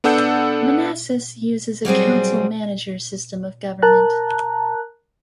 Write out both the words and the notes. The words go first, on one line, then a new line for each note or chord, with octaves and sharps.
Manassas uses a council-manager system of government.
B3 D4 A4 F#5 E6 G6
F#3 G3 C4 G#4
A#4 A5 A#5 F#6